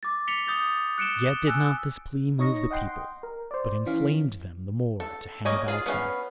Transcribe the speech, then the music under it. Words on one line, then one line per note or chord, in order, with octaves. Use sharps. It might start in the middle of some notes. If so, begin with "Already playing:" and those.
Yet did not this plea move the people, but inflamed them the more to hang about him.
D6 A6
B6 C#7 F7 G7
D#6 G6 A6 F7
F#6 C#7 D7 E7 G7
G#5 E6 F#6
D#4 C#5 D#5 C#6 A#6
D#5 F#5 G5 C6
A#4
C5 D5
E3 C#4 F5
A4
A#3 C#5 D#5 G#5
F4 G#4
B3 C#4 F5